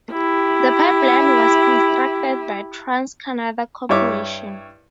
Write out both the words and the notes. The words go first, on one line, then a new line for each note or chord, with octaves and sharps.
The pipeline was constructed by Trans Canada Corporation.
E4 G4
G2 E4 C#5 D6